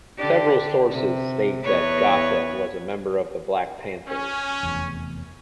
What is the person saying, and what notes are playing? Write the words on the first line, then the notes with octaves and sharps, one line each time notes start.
Several sources state that Gossett was a member of the Black Panthers.
D3 D4 G4
C3
E2 B4 C#5
C#4
F1 E2